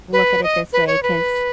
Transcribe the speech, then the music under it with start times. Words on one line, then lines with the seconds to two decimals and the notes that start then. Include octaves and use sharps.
look at it this way 'cause
0.13 B4
0.43 D#5
0.73 B4
0.87 C#5
1.03 B4